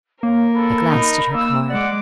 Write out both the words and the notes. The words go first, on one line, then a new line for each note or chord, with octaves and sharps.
I glanced at her card.
A#3 A#4 C#5
A4 B5
D#4
A#3 E6
G#3 D5 F#5 D6